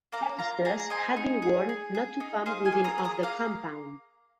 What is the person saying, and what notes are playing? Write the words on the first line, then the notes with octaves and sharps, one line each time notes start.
Protesters had been warned not to come within of the compound.
A#3 F5 A#5
F4 F5 A#5
G#4 F5 A#5
A#5
C4 D#5 G#5
D#4
G#4
G#4
G#4
D#4
G#4 C5 F5
D#5 G#5
A#3
A#5 D#6
G#4
A#5 D#6
A#3 F5 A#5